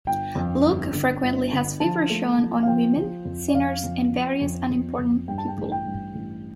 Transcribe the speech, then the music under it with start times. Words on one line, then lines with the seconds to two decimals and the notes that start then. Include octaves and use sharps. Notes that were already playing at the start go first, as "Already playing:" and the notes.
Luke frequently has favor shown on women, sinners, and various "unimportant" people.
0.07 G1 G5
0.35 F2
0.65 G1
0.93 D3
1.22 G1
1.52 D3
1.80 F3 A5
2.10 A3
2.38 F3
2.63 F5
2.67 F3 G5
2.97 F3
3.25 F2
3.48 D5
3.54 F2 F5
3.84 F2
4.12 F3
4.41 F2
4.70 F2
4.99 F2
5.28 G2 G5
5.38 A5
5.48 G5
5.57 A1
5.72 G5
5.86 G2
6.15 A1